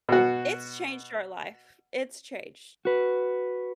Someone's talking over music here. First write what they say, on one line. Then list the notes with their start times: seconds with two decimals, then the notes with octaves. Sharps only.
It's changed our life, it's changed
0.09 B2 F#4
2.85 F#4 B4